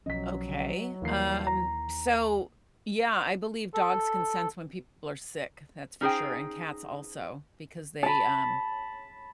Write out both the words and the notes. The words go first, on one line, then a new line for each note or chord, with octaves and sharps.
Okay, um, so, yeah, I believe dogs can sense when people are sick that's for sure, and cats also because they, um,
B1 F3 F#3 C#4 D#5 B6
D#2 E3 A#3 C7
A#5
A4
C#4 D#4 G#4 C5 G5
A5 B5